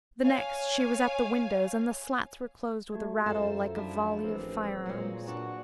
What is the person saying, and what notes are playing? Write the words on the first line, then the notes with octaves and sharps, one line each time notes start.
The next she was at the windows and the slats were closed with a rattle like a volley of firearms.
C#5 F5 G#5
A3 F#4 G4 G#6
F#2 F4 A4 C5 E5 A#5
F3 D4 E4
A1 C4 G#4 A#4 B4
A#2 F#3 G#3
D4 F#4